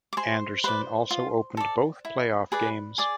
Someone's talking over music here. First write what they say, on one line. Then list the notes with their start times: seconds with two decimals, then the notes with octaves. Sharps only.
Anderson also opened both playoff games.
0.13 D6
0.17 G#4 C5 C6
0.64 B4 C5 D5 C6
1.11 F4
1.57 A4 D5
2.05 E4
2.52 G#4 B4 D5
2.98 G#4 D5 D6